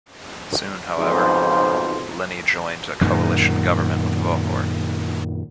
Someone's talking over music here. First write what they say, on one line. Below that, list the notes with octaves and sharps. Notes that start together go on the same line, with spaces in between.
Soon, however, Lini joined a coalition government with Vohor.
B1 F2 G#2 C#3 F3 C5
F#2 A#2 D#3